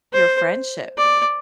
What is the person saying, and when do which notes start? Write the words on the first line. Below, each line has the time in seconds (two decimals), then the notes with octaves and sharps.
your friendship.
0.13 C5
0.97 D5